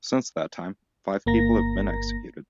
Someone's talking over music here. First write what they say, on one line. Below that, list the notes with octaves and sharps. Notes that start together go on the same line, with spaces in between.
Since that time, five people have been executed.
G1 A#3 A#5 A#6